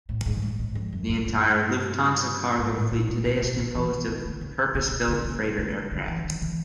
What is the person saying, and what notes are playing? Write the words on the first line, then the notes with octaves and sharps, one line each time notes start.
The entire Lufthansa Cargo fleet today is composed of purpose-built freighter aircraft.
A2
G#2
A2
G#2
F2
F#2
F#2
G2
G#2
A2
A#2
A#2
B2
B2
B2
E3
D#3
D#3
D3
C#3
C3
C3
B2
C#3
C#3
C#3
D3
E3
D#3
E3